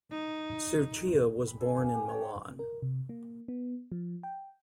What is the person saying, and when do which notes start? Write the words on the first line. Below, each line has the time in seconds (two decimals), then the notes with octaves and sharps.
Sirchia was born in Milan.
0.11 D#4
1.47 B5
1.60 D#4 G#4 A4
1.77 A#3 G#5
1.95 G4 D#6
2.09 C#5 G5 A5
2.59 A#4
2.82 C3
3.09 A#3
3.48 B3
3.92 F3
4.23 G5